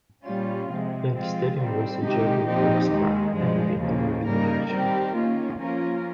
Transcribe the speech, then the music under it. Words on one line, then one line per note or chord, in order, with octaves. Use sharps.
Yankee Stadium was a jewel box park, albeit a very large one.
A#2 G3 C#4 F4
C3 F3 G#3
F3 G#3 C4 F4
D#3 G3 C4
C3 D#3 G#3 D#4 G4
A#2 F3 C4 D#4 G4
D#2 D#3 G#3
G2 F3 G#3
D#2 C#3 F3 A#3
C#3 G3 A#3 D#4 A#4
D#3 G3 C4 G4 A#4
D#3 A#3 C#4 F4
F3 A#3 C#4 F4 A#4